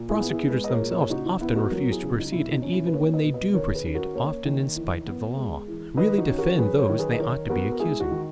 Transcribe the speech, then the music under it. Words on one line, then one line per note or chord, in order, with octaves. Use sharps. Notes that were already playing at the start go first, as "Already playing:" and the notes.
The prosecutors themselves often refuse to proceed, and even when they do proceed, often in spite of the law, really defend those they ought to be accusing.
Already playing: A#2
E4 G#4
B3
E4 G#4
G#3 G#4 B4
D#5
A#4 C#5
A#2
A#4 C#5
G#4
C#3 D#4 F#4
D#4
B3 E4
D#4 F#4
F#3 F#4 A#4
E4 G#4
C#3
D#4
B2 E4
D#4
C#4
E4
B4
A#3 A#4 C#5
B4 D#5
B2
B4 D#5
D#3 A#4 C#5
G#4 B4
C#4 B4
F#4 A#4
A#3 A#4 C#5
D#3
E3
B3
G#3
E3
D#3 B4 D#5
D#4 F#4
C#4
F#4 A#4
A#4
F#3 G#4 B4
A#4 C#5
D#3
G#4 B4
D#5
D#3 A#4 C#5
B3 F#4 A#4
A#4
G#3 E4 G#4
D#4 F#4
D#3